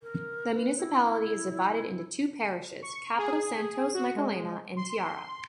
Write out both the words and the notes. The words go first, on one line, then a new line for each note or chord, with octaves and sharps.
The municipality is divided into two parishes: Capital Santos Michelena and Tiara.
A#4
B4
E4
C#6
G#4
F#4
G#3
C6